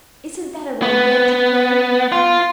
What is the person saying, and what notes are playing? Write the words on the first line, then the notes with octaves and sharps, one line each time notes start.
Isn't that a romantic name?
B3
F4